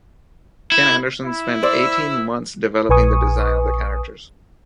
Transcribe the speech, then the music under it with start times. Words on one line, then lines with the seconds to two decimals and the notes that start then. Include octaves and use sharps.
Ken Anderson spent eighteen months developing the design of the characters.
0.72 E4
1.23 E4
1.63 C5 D5 E6
2.89 A#1 B4 G#5 C#6 D#6